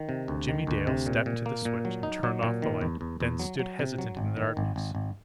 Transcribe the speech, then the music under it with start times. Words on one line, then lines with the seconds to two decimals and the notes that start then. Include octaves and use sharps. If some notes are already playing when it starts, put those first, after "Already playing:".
Jimmie Dale stepped to the switch and turned off the light; then stood hesitant in the darkness.
Already playing: D#3
0.09 C3
0.28 D2
0.48 D#3
0.67 D2
0.87 C3
1.06 A#2
1.26 A#2
1.46 A#3
1.65 A#2
1.85 F#3
2.03 D#4
2.23 F#3
2.43 A#2
2.62 D#3
2.81 E2
3.01 E2
3.20 E2
3.39 F#3
3.59 F#3
3.79 C3
3.99 F#3
4.17 G#1
4.37 D#3
4.57 G#1
4.76 G#1
4.95 G#1